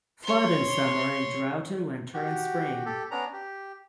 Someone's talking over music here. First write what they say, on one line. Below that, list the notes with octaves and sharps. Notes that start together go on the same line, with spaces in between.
Flood in summer and drought in winter and spring.
C#5 C6
F#4 G4
G4 A4
B3 C#4 D4 A#5
G4